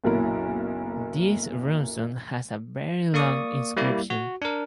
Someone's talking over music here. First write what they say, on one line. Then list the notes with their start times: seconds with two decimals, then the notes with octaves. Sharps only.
This runestone has a very long inscription.
0.04 F#1 B1 A#2 F#3 E4 A#4
3.14 A#3 D5 C#6 D#6
3.77 G3 A#3 E4 D5
4.10 F#4
4.42 D4 A#4